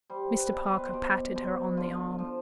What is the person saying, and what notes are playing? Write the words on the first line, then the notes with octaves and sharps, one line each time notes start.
Mr. Parker patted her on the arm.
G3 C5
B4
B2
C5
B4
C5
B2 D5
B2 C5
D3 F4
F3